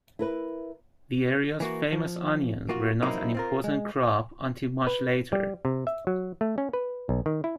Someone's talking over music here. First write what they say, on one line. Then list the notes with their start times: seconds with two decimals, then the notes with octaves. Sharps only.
The area's famous onions were not an important crop until much later.
0.19 E4 A#4 B4
1.60 E3 A#3 F#4
1.92 F3
2.69 A#3 F4 F#4
3.02 F#3 A#3 C4 D#4 E4
3.35 C4 F4 A#4
3.64 G#3
4.87 B4
5.33 G3
5.65 C3
5.87 E5
6.07 F#3
6.41 A3
6.58 C#4
6.73 B4
7.09 B1
7.26 D#3
7.44 E4